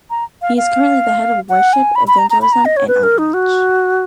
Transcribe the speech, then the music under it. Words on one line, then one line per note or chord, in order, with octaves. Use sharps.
He is currently the head of Worship, Evangelism and Outreach.
A#5
F5
F5
F#5
G#5
B5
B5
A#5
A#5
B5
A#5
D#5
C#5
B4
A#4
D#4
F#4